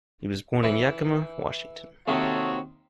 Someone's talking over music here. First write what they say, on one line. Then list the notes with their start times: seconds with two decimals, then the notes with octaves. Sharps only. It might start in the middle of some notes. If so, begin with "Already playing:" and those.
He was born in Yakima, Washington.
0.63 E3 B4
2.08 D#2 C3 D#3 F#4 A4 C#5